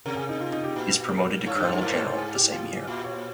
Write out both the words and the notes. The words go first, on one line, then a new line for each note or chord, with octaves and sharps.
He is promoted to colonel general the same year.
C3 A#4
G#4
D#4
F4
D#4
G4
A#2
A#4
G#2 C#5
G2
G#2 C5
G2
G#2 A#4
C5
C#5
C5
G#4
G4
F4
A#2 F4
G4
C#5
C5